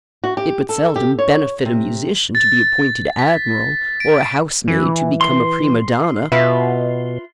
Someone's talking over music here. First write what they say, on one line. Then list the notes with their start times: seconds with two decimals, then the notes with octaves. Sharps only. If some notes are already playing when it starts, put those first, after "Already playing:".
It would seldom benefit a musician to be appointed admiral or a housemaid to become a prima donna.
0.24 F#4
0.37 G4
0.69 A4
0.96 G4
1.19 C#5
1.65 C3
2.35 A6
3.19 B6
4.00 D7
4.68 E3
5.21 C6
6.32 B2 F4 B4 E5